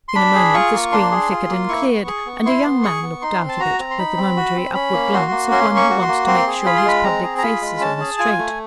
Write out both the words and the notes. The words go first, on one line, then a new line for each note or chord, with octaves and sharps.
In a moment, the screen flickered and cleared, and a young man looked out of it, with the momentary upward glance of one who wants to make sure his public face is on straight.
C6
D4 B5
G#4
F4 C#6
A#3
D4 C6
G#4
F4
A#3
E4 C#6
B3
G#4
B3
E4 C6
B3
G#4 C#6
B3
D#4 C6
C4
A5
F#4 A#5
C4
C6
D#4 B5
C4
F#4
C4
C#4 B5
A#3
F#4 C6
A#3
C#4 C6
A#3
C#6
F#4
C6
A#3
C4 C6
G#4
F4 B5
C6
G#3 B5
C4 A#5
G#4
A#5
F4 B5
G#3
C#4 A5
G#4
F4 G#5
A3